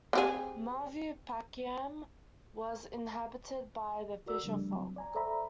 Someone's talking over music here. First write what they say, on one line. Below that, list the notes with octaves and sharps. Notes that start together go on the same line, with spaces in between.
Maruvurpakkam was inhabited by the fisher folk.
C4 G4 G#4
F#4 A#4 D5 E6
C#3 F3 G3 A3 D4
F#3 C4
D5 G#5 A#5
A4 C5 D5 E5 A#5 B5